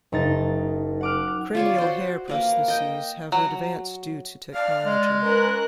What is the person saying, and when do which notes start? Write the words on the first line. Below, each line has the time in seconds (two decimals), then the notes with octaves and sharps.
Cranial hair prostheses have advanced due to technology.
0.12 F#1 D#4 A6
1.01 F#5 D6 F6
1.55 F4 C#5 D5
1.78 F#4 C5
2.28 A#3 A#4 B4
2.68 D#5 G5
3.32 F#3
4.54 D5 F5 F6
4.85 G#3
5.21 C#4 A#4 B4 F#6